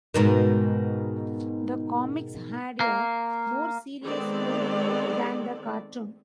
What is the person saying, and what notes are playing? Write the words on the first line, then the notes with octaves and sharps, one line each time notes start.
The comics had a more serious tone than the cartoon.
G#2 B2 D#3
A#3
D#3 G#3 B3 C4 A4 D5